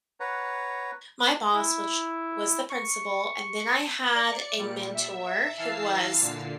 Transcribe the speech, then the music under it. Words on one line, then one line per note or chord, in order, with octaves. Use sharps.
my boss, which was the principal, and then I had a mentor who was
B4 C#5 F#5 A#5
E4
C#6
D5 C#7
A#2 G3
E5
E3 F5 A5 E6 C7
A#2 D3